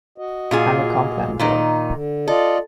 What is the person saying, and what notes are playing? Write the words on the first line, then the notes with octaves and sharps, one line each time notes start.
I'm a Complan Girl!
F#4 D#5
A#2 F4 G#4
A#2 D#3 D#4
D3
F4 A4 D5 D#5